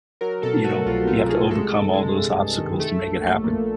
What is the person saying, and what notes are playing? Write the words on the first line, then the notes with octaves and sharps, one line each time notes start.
you know, you have to overcome all those obstacles to make it happen.
F#3 A#4
B2 A4
A3 F#4
C2 F4
A3 F4
C2 G#4
G#3 A4
G2
G#3
G2
G2
D#3
A3 A4
A#1
A#1
A#2